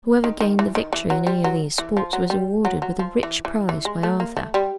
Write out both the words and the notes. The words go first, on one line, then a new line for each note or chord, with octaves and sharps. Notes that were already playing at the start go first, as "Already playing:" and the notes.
Whoever gained the victory in any of these sports was awarded with a rich prize by Arthur.
D#3
D#3
E3
D#3
E3
F#3
G3
F#3
E3
F3
F#3
G3
F#3
F#3
F3
E3
E3
E3
G#3
A3
A#3
A3
G3